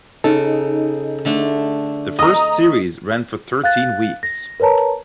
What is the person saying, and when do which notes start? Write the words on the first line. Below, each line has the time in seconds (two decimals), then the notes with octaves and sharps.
The first series ran for thirteen weeks.
0.24 C#3 D#4 A4
1.25 D3 A3 D4
2.19 D#5 A#5 D#6
3.64 F5 F#6 A6
4.23 A#6
4.60 A#4 B4 C#5 A5 A#5